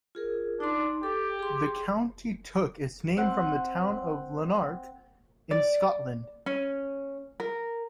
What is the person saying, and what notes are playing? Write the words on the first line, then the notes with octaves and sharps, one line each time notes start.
The county took its name from the town of Lanark in Scotland.
F4 G#4 A#4
D4 D#4 C6
G4 A4
G#4 C6
C4 F#5
D5
C#4
A#4